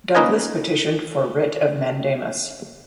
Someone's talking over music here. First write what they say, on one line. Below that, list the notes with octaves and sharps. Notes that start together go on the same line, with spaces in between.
Douglas petitioned for writ of mandamus.
A#3 C#4 D#4 B4 D#5 G#5